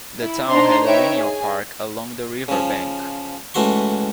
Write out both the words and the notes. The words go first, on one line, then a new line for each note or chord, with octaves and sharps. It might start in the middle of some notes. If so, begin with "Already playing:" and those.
The town had a linear park along the riverbank.
E4
D4 D#4 C5 A#5 C6
D#4 B4 C#5 E5 G5 D7
G#4 G#5
C#3 F3
C#2 E3 A3 F#4 C6 C#6